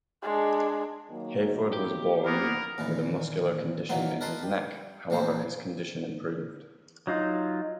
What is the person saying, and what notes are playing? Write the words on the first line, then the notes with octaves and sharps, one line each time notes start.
Hayford was born with a muscular condition in his neck, however his condition improved.
G#3 D4
D#3 F#3 A#3
G4
A#3 B3 A#4
D#2 A#2 E3
A#2 D#3 E3 F#3 A#3 B3
A#4 B4 D#5 A5 B5 C6
G4
A#1 E3 A#3 C4 C5
F#3 D#4 F4